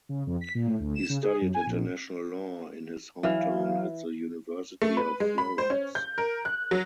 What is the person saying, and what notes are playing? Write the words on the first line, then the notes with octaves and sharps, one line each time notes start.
He studied international law in his hometown at the University of Florence.
C#3
F2
B6
A#2
A2
D2
E7
C#3
G#4
F#2
G#5
A#1
E3 F#3 F5
A3
B4
G#3
B5
C5
C#4
G6
A#4
F#6
F#3